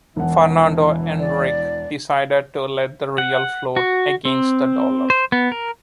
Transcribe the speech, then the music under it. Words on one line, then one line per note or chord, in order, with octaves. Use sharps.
Fernando Henrique decided to let the Real float against the dollar.
E1 E3 F#5
D5
F#5
F#4
C4
C5
B3
A#4